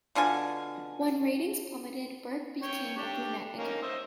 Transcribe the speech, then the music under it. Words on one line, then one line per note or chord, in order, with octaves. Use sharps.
When ratings plummeted, Burke became a brunette again.
B2 D3 F4 G#5
C#5 G5 C#6
D4 G4
A#3 C#4 D#4
C5 D#5 E5